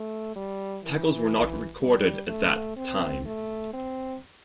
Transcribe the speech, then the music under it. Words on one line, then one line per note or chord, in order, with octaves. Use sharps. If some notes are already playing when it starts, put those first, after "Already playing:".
Tackles were not recorded at that time.
Already playing: A3
G3
E3
G3
A3
C4
A3
C4